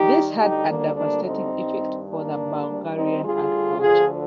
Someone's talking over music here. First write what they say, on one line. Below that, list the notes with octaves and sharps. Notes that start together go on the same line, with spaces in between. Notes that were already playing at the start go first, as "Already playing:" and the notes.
This had a devastating effect for the Bulgarian agriculture.
Already playing: D#2 D#3 G3 D#4 G4
D2 D3 G3 D#4 G4
A#3 D4
A#3 D4
C4 D#4
G2 D#3 G3
A#3 D4
D2 D3 G3
C4 D#4
F4 G#4
D2 D3 F3 F4 G#4